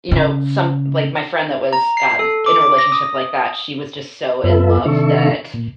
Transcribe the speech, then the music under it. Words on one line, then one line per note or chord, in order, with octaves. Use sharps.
you know, some like, my friend that was, um, in a relationship like that, she was just so in love, that
C#3
A#5
C7
A4
D6
D6
A#6
D#6
F#2 B3 F4 A4 B4 E5
C3 D#3 D4 A4 E5 C#6
A#2